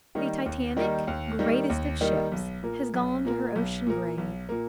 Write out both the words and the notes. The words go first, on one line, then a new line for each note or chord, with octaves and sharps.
The Titanic, greatest of ships, has gone to her ocean grave.
D#3 G3 A#3 D#4
D#2
D#3 G3 A#3 D#4
D#2
D#3 G3 A#3 D#4
D#2
D#3 G3 A#3 D#4
B1
A#2 A#3
B1
A#2 A#3
B1
A#2 A#3
B1
A#2 A#3